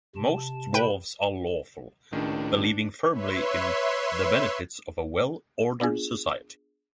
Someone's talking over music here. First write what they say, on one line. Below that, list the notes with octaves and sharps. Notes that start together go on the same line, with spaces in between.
Most dwarves are lawful, believing firmly in the benefits of a well‑ordered society.
C3 A5
B4 G5
C#2 A2 D#3 C#4 D4
B4 C#5 E5 C6
B3 D4 F4 G#4